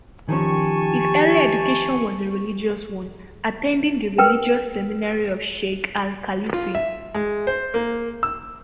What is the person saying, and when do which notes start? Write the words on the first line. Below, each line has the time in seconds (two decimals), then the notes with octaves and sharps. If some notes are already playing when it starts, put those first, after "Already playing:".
His early education was a religious one, attending the religious seminary of Sheikh Al-Khalisi.
0.29 D#3 F3 C#4 G4 G#5 A5 C#6
4.18 A#4 B4 G5
6.54 F4
6.75 E5
7.15 G#3
7.47 C5
7.74 A#3
8.23 E6